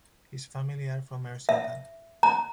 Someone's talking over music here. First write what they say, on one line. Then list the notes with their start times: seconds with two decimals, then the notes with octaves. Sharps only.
His family are from Erzincan.
1.49 E5
2.23 A#5